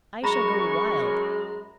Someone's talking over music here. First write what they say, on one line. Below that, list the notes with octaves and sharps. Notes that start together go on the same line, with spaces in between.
I shall go wild!
F#2 G#3 A#5 B5 C#6 A#6